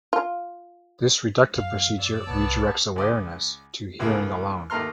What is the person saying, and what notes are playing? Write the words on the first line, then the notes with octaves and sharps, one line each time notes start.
This reductive procedure redirects awareness to hearing alone.
F4
F#2 F5
C#5 D5 E6
C2 B3 A5
C#2 D5 D#5
C#2 A2 A#3 E4 G#4
D#2 D#3 A3 A#5 C6 F6